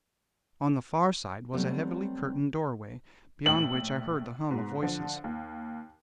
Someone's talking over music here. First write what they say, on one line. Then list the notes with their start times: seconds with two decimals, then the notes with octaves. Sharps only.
On the far side was a heavily curtained doorway beyond which I heard the hum of voices.
1.53 F#3 G3 A3 B3 C4
3.46 A#1 A2 G5 F#7
4.51 G#2 B2
4.82 D3 F3
5.24 D#2